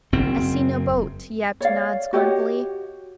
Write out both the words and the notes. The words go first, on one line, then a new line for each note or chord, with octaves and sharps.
"I see no boat," yapped Nod scornfully.
F#1 C4
C#5 D5 F5
F#4 G4 C#5 D#5